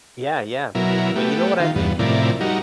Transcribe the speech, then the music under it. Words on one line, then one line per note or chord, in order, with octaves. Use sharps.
Yeah, yeah. But you know what I think?
B2 F#3 E4 A#4
A3 B3 G4
D#3 F4
E2 G2 B3
A2 C3 F3 E4 A#4 D5
G3 D#4 F#4 A#4